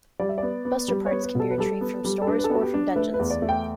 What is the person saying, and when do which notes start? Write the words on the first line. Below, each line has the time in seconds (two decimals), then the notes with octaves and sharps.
Buster Parts can be retrieved from stores or from dungeons.
0.20 G3 D5
0.29 E5
0.38 B3 D5
0.65 B3
0.88 G3
1.06 B3 C#5
1.23 B4
1.35 B2 A4
1.51 B4
1.58 G3 A4
1.81 B3
2.04 G3
2.22 A4
2.27 D4 B4
2.38 B4
2.44 A4
2.50 B3 F#4
2.62 G4
2.74 D4
2.96 A3 B4
3.14 B4
3.19 E2
3.30 D5
3.42 A3
3.49 G5